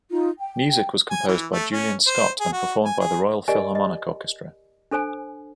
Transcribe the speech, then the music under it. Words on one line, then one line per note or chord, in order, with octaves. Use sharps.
Music was composed by Julian Scott and performed by The Royal Philharmonic Orchestra.
D#4 F4
G5
G#5
E3
A3
C#4
C5
G#4
F#4
G#5
G#4
G4 A#4 D5 D#5 G#5
D#5
D4 A4 C5 G#5